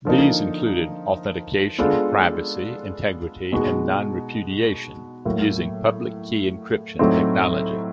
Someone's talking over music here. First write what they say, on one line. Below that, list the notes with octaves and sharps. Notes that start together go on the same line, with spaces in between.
These included authentication, privacy, integrity and non-repudiation using Public Key Encryption technology.
D3 F3 A#3 D#4
G#3 B3 D4 F4 A4
B2 G#3 B3 D#4 F#4
A2 F#3 A#3
A2 F#3 A3 C4 D#4